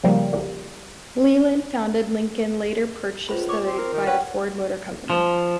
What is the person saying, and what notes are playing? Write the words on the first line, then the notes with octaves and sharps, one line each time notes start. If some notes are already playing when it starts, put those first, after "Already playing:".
Leland founded Lincoln, later purchased by the Ford Motor Company.
C#3 F3 G3 A#3
C#2 F4 C5 B5
C#5 D6
C4 G4
A#4
D#3
C#4 B4 F#5 G5
F3